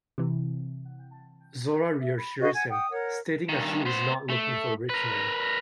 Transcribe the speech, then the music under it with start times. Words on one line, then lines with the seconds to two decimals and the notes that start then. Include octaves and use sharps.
Zora reassures him, stating that she is not looking for a rich man.
0.18 C3 E3
2.00 E5
2.17 B5
2.41 F#4 B4 D#5 F5
2.54 F#5 G#5 G#6
2.69 F#5 G5 D#6
2.90 A#4 C#5 F#5
3.49 G2 D#3
3.85 B3 C5
4.30 A3
4.89 A#4 B4